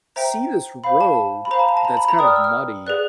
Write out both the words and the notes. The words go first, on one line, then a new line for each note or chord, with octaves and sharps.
see this road that's kind of muddy,
C5 E5 G5 A#5
C5 F5 B5
A5
B5
C5 F5 A#5
A5
A#5
A5
A#5
B5
A#5
B4 D5 G5 D#6
F6
E6
F6
G#4 B4 D5 F#6